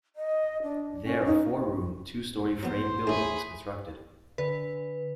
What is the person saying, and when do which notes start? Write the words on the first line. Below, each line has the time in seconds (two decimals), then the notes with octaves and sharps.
There a four-room, two-story frame building was constructed.
0.16 D#5
0.63 D4
1.04 C#4
1.25 D#4
2.63 F#3 B3 C5
3.07 A3 C#4 G#4 B5
4.38 D3 B4